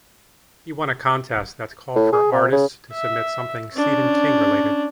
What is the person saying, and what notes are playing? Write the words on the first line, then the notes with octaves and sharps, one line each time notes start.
He won a contest that called for artists to submit something Stephen King related.
A2
G#4
C3
C#3
E5
C#4 D4